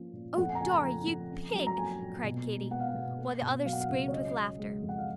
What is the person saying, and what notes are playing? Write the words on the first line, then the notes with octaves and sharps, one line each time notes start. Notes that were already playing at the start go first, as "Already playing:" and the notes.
"Oh, Dorry, you pig!" cried Katy, while the others screamed with laughter.
Already playing: F3 A#3 C#4
A#2
F2 F#5
G#5
A#5
C#3 G#5
A#5
F3 A#5
F2
C#4
F#3
A#5
A#3 G#5
A#2
B2
G#3
B3 F#5
F5
F#5
B2
A#3
B2
F#3 F5
F#5
F5
C#2
C#5
C#4 D#5
C#3
G#3
F2
F#5
F5